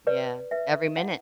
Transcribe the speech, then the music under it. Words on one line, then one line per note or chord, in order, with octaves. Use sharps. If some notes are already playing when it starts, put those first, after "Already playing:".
Yeah. Every minute.
B4 D5
B4 E5
E4 F#5